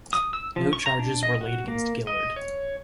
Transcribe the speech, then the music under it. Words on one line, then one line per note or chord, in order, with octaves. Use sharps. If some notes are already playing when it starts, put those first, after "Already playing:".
No charges were laid against Gillard.
D#6
E6
F3
C#6
A#5
D4
D#5
F#4
A#3
D#5
C#5